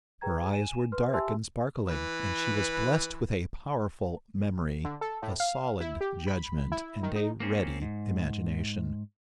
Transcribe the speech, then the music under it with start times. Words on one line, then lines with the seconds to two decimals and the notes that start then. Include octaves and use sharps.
Her eyes were dark and sparkling, and she was blessed with a powerful memory, a solid judgment, and a ready imagination.
0.21 G#4 B4 G5 A#5 G#6
0.51 G#5 D#7 E7
0.92 B4 C6 F6
1.13 G4 E5 G#5 A5 C6 E6
1.87 E3 B4
4.85 D3
5.01 A4
5.22 A2
5.40 F5
5.81 E4
6.01 G4
6.27 B5
6.72 E4
7.03 D#3
7.16 D#4
7.40 A#3 C4 C#4
7.82 G#2